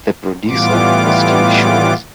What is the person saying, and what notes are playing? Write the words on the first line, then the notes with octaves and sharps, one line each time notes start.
The producer was Steve Sholes.
A2 E3 G3 B3 F4 D6